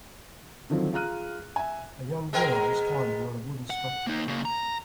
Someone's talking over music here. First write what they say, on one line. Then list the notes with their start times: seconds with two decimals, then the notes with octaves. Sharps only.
A young girl is climbing on a wooden structure.
0.70 D3 D#3 F3 F#3 C4
0.93 F4 G#4 A#5 F6 F#6 D#7
1.56 E5 G#5
2.33 G#3 B3 A#4
3.70 F#5
4.07 A#3 D#4
4.28 C#3 A#3
4.45 A#5